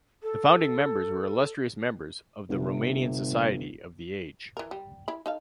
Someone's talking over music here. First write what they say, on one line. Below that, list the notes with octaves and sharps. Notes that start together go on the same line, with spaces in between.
The founding members were illustrious members of the Romanian society of the age.
A4
G1 C3
E3 A#4
G3
E4 B5
D#4 A4 F5